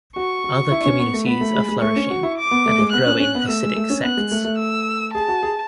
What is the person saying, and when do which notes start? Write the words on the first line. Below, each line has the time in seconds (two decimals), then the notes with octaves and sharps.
Other communities are flourishing and have growing Hasidic sects.
0.16 F#4 C#6
0.44 F#4
0.71 E4
0.81 D4
0.86 C#4
0.99 B3
1.14 A3
1.26 B3 B5
1.41 A3
1.55 G#3
1.69 G#3
1.82 A3 C#6
1.96 C#4
2.10 F#4
2.23 E4
2.38 D6
2.51 B3
2.66 A3
2.78 G#3
2.92 B3 F#6
3.06 C#4
3.20 C#4
3.35 B3
3.48 A3 E6
3.63 G#3
3.76 A3
3.90 C#4
4.03 B3 F#6
4.17 G#3
4.31 A3
4.45 A3
4.58 E6
5.14 G#4 A5
5.28 F#4
5.43 G#4